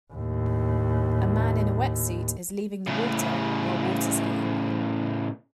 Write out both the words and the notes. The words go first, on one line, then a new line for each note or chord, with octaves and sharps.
A man in a wetsuit is leaving the water while waterskiing.
D#2 A2
A2 C#3